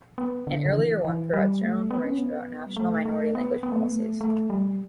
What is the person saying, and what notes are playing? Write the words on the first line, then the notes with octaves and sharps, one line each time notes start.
An earlier one provides general information about national minority language policies.
B3
D3
D3
E3
E3
G3
A3
B3
C#4
B3
G3
A3
A3
B3
B3
A3
B3
A3
A3
G3